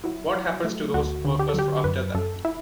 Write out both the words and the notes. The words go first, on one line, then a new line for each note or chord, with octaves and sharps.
What happens to those workers after that?
F#3 E4
F#3
A3
D2 F#4
D3
G4
A4
F#3 G4
F#2 B4
F#2 A4
E4